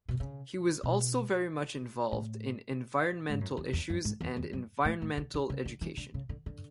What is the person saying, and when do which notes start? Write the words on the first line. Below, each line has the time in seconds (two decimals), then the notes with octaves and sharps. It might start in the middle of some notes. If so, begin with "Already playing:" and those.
He was also very much involved in environmental issues and environmental education.
0.09 B2
0.20 C#3
0.83 B2
2.12 A2
3.29 G#2
3.41 F#2
3.57 E2
3.73 E2
3.90 F#2
4.05 G#2
4.21 E2
4.37 E2
4.53 F#2
4.85 A2
5.02 A2
5.17 D3
5.34 D3
5.50 C#3
5.65 D3
5.81 E3
5.97 D3
6.14 C#3
6.29 D3
6.46 D3